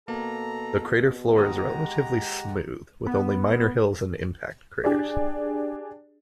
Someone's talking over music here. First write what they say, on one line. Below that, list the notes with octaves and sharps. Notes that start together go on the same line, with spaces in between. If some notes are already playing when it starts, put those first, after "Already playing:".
The crater floor is relatively smooth, with only minor hills and impact craters.
B2 A#3 A4 A#5
D#2 G#3 G4 F#5 A#5 D#6
B3
D4 G4 G#4 D5